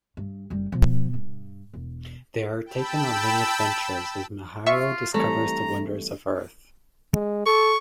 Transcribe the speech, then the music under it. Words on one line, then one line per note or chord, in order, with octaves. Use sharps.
They are taken on many adventures as Miharu discovers the wonders of Earth.
G2
F#1 G3
B2 F3
G2
E1
G5 A5 B5 E6
F4 E5 C#6
E3 G3 A3 C4 A#5
G#3
A4 C#6